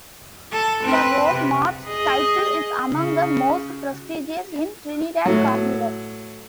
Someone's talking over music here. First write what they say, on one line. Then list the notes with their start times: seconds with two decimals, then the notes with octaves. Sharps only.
The Road March title is among the most prestigious in Trinidad Carnival.
0.52 A4
0.83 C4 B4
1.33 C3
1.86 G#4 D#5
2.91 C#3
5.26 A2 F#3